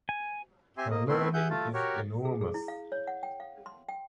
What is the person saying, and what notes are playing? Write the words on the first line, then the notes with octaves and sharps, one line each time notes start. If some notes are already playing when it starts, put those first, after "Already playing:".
Her learning is enormous.
G#5
C4 G4 E5 G#5 C6
A#3 D#5
A3 B3 C4 E4 E5 C6
G#4 E5 F#5 G6
A3 F4 A4
F#4 G4 A#4 C#5
G#4
G#4
E4
F5
C#5
F#5
G5
F5
C6
G5